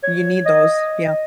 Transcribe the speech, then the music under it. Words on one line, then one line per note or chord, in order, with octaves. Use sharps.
You need those. Yeah.
C#5
D#5